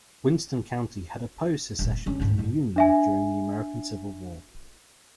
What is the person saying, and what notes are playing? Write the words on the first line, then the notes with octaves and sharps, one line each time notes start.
Winston County had opposed secession from the Union during the American Civil War.
D#1 A1
A#3
D3 C#4
D#2 G#2
C2 G#2
D4 E5 G#5